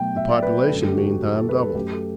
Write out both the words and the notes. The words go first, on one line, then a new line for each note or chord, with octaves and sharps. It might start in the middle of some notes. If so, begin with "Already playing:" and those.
The population meantime doubled.
Already playing: B2 F#3 A3 G5
E5
D5
B4
F#2 D3 F#3 A3 A4
G4
F#4
F#4
G4
A4
B4
A4
F#2 F#3 A3 G4
A4